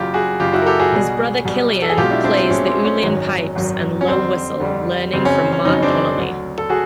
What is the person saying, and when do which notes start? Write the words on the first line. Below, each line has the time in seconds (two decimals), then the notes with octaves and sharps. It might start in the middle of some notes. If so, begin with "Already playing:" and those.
His brother Cillian plays the uillean pipes and low whistle, learning from Mark Donnelly.
Already playing: F#1 F#2 C#3 F#3 F4 G4
0.14 F#4 G#4
0.40 F#1 F#2 C#3 F#3 F4 G4
0.53 E4 F#4
0.62 A#4
0.66 G4 A4
0.79 F#4 G#4
0.92 B1 B2 G3
1.45 B1 B2 G3
1.82 A4
1.89 G#4
1.97 B1 B2 G#3 F4 G4
2.11 D4 E4
2.24 C4 D4
2.37 C4
2.50 B1 B2 G#3 C#4
2.68 C4
2.85 C#4
3.03 G#1 F#2 D#3 F#3
3.55 G#1 F#2 D#3 F#3
4.01 C#4
4.07 F2 D3 G3 C4
4.60 F2 D3 G3
5.13 F#1 F2 C#3 F#3 C4
5.25 C#4
5.52 C#4
5.65 F#1 F2 C#3 F#3 C#4 D#4
5.82 C4 D4
6.17 D2 D3 F#3
6.58 A4
6.70 F#3 F#4 G#4